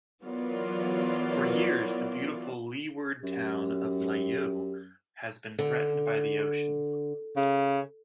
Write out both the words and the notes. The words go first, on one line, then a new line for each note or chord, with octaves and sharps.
For years the beautiful Leeward town of Layou has been threatened by the ocean.
E3 F#3 B3 F4 A#4 D5
F#2 G4
D3
C#3